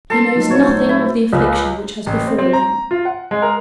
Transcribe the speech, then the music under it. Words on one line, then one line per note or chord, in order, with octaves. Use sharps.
He knows nothing of the affliction which has befallen him.
G3 B3 A4 C6
F#3 D#4 F4
A#2 F#4 C5 C#5
A3
E4
C#2
A1
C4
C4
A#5
F4
F#5
G#3
A#4